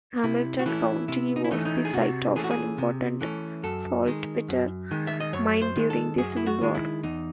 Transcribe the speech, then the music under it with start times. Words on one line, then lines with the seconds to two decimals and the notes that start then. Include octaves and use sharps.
Hamilton County was the site of an important saltpeter mine during the Civil War.
0.23 C3 E4
0.59 F#4
0.66 E3 A3 C#4 E4
1.08 C3 E4
1.36 D#4
1.44 E4
1.51 E3 A3 C#4 D#4
1.65 D#4
1.85 G#4
1.93 C3 F#4
2.36 E3 A3 C#4 G#4
2.44 F#4
2.51 G#4
2.78 C3
3.21 E3 A3 C#4
3.63 F#2 A4
4.06 D#3 G#3
4.48 F#2
4.91 D#3 G#3
5.07 E5
5.20 D#5
5.33 F#2 C#5
5.62 C5
5.76 D#3 G#3
5.90 A4
6.18 F#2 G#4
6.37 E4
6.46 F#4
6.61 D#3 G#3
6.75 E4
7.03 E2 D#4